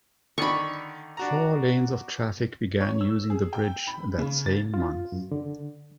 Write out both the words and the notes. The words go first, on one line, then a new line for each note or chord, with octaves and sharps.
Four lanes of traffic began using the bridge that same month.
D3 D#3 D4 B5 C#6
D4 F#4 A#5
C#5
E6
G#4
G5
B5
C#3
A6
F4
F#2
D3